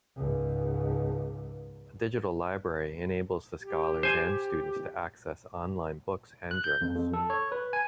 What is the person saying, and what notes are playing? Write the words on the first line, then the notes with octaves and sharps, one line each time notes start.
A digital library enables the scholars and students to access online books and journals.
C#2 G#2
G4
C5 G#5
F#6
G6
F2
F2
A4
C#5
B4
G#5